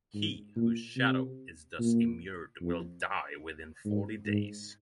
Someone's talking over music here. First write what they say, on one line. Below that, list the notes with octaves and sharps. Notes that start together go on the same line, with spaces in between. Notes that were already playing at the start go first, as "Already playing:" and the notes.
He whose shadow is thus immured will die within forty days.
G#2
A#2
C3
A#2
F2
G#2
G#2